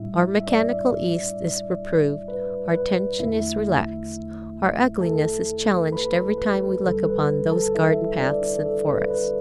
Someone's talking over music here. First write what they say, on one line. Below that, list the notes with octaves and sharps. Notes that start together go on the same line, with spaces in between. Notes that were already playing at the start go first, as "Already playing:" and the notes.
Our mechanical East is reproved, our tension is relaxed, our ugliness is challenged every time we look upon those garden paths and forests.
Already playing: A2 G3 D4 E4 E5
E5
D4 D5
B4
B4
E2 D3 A3 D4 E4 E5
A4 A5
B4 B5
B4
D2 D3 G3 D4 A4
B4
A4 A5
E4 E5
D4 D5
A4
B4
B4